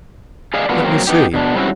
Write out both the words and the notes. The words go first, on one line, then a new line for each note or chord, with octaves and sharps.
"Let me see?"
G#4 D5 D#5 F5
G3 A#3 B3 D4 F4 F#4
F#3 A#3 C4
B3 D#4 G4
B2 D4
G3 C4 C#4 E4 F#4